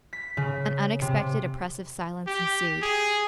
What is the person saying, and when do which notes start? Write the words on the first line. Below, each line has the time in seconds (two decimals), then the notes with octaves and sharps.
An unexpected, oppressive silence ensued.
0.13 B6
0.37 C#3
1.02 C3
2.27 G4
2.82 G#4